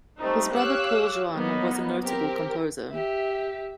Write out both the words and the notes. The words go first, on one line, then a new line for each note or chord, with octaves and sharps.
His brother Paul Juon was a notable composer.
G3 A3 C4 D#4
G4 C#5 F5 D6 E6 F#6
F#3 A#3 B3 D#4
C4 G4 A#4
G4 E5